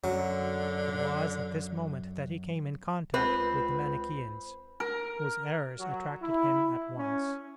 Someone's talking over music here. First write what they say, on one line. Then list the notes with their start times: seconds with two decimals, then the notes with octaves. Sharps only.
It was at this moment that he came in contact with the Manicheans, whose errors attracted him at once.
0.04 F#2 D3 F#3
3.14 C#2 C4 B4 B5
4.80 A#4
5.78 F#3
6.23 E4
6.96 C#4